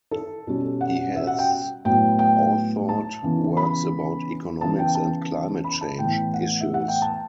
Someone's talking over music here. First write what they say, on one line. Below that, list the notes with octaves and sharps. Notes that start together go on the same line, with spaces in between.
He has authored works about economics and climate change issues.
A4
B2 G3 C#4
F#5
E5
F#5
G5
A2 F#3 B3 G5
G5
A5
C#3 E3 B3
B5
C#3 E3 B3 A5
G5
A5
B5
A5
A2 E3 B3 G5
F#5
E5
F#5
G5
A5